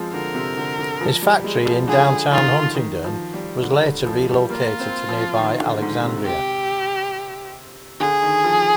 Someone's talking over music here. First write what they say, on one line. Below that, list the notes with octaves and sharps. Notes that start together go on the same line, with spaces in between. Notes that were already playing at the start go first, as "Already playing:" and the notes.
His factory in downtown Huntingdon was later relocated to nearby Alexandria.
Already playing: F3 G#3 C4
D3 A#4
C3
D3
D3
F3
G3
G#3
F3
D3 G#4
D#3 F4
F3
D#3
F3
G3
D3
F3
G3
A#3 F4
C4
F3
D#3
D3
G#2
C3
G4
D3 G#4
D#3
F3